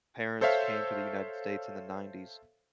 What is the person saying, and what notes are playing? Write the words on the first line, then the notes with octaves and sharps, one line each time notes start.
parents came to the United States in the nineties.
A4 C5 C#5 E5 F5